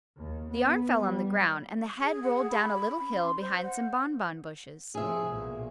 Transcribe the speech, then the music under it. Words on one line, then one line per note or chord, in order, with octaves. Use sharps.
The arm fell on the ground and the head rolled down a little hill behind some bonbon bushes.
D#2
B3
G3
G#4
F#5
G#4
B5
B5
C#4
C6
C5
F#5
C3 F3 G#4 E5
B1 A#2